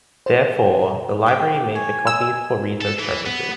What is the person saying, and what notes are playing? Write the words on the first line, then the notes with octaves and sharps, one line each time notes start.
Therefore, the library made the copies for research purposes.
C5
G4 D#5 G5
C#5 G#5
D#5 E6
A4
E3
B3